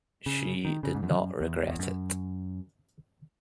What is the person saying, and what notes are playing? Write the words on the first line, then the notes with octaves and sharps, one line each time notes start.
She did not regret it.
C#3
D#3
C#3
G#2
F#2
E2
E2
F#2